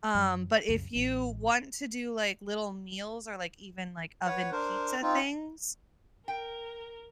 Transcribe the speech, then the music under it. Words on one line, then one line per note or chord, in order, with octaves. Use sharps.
Um, but if you want to do, like, little meals or, like, even, like, oven pizza things,
F#2 F#3
C2 F#2 C#3
A1 C4
B4 C#5 F#5
D4 A#4 C5
C4 D#4 F4
A#4 G5